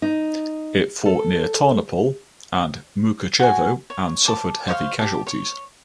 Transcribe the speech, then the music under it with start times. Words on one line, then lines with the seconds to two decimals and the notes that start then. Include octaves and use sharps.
It fought near Tarnopol and Mukachevo and suffered heavy casualties.
0.02 D#4
1.06 A4
3.39 F#4 G#5
3.90 C#5
4.25 A5 D6
4.68 C5 C#5 D#5 F5
4.99 G4 A5
5.27 C#5